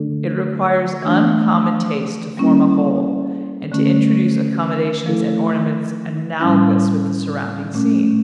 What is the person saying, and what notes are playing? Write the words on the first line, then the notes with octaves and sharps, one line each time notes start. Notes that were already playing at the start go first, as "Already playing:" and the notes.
It requires uncommon taste to form a whole, and to introduce accommodations and ornaments analogous with the surrounding-scene.
Already playing: D3 A3 D4 A4
E3 A3 D4
G3 A#3 C#4 E4
D3 A3 C#4
F3 A3 E4 A4
A2 G3 C#4 E4
A#2 A3 C#4